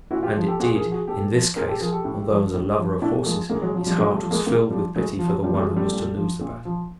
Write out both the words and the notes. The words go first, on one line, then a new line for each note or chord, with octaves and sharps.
And it did, in this case, though as a lover of horses his heart was filled with pity for the one who was to lose the battle.
A#2 E4 F#4
F4 G4
F3
G4 A4
A#2 F#4 G#4
G#4 A#4
F3
F#4 G#4
A#2 G4 A4
F3
A#2 G#4 A#4
G4 A4
F3 G#4 A#4
G4 A4
A2
F3
A2
F3
A2 D4 E4
F3 G#3 A#3
A2 G#3 A#3
F#3 G#3
F3 F#3
F3 G3
A2 F#3 G#3
G3 A3
F3
G#3 A#3
A2 G#3 A#3
F3 G3
A2 F#3 G#3
F3
F#3
A2 F3 G3
G3
F#3 G#3
F3
G3 A3
A#2
F3
A#2
F3